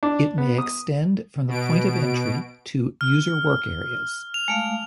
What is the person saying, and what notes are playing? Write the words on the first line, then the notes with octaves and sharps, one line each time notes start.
It may extend from the point-of-entry to user work areas.
D4
B3
D#6
B2 D7
F6
F7
G#3 A3 F5